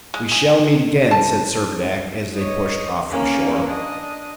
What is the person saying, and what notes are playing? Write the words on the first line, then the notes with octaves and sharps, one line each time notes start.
"We shall meet again," said Servadac, as they pushed off from shore.
G#3
G#4
A5
C#5 D#5
A#3 C#4
D4 D#5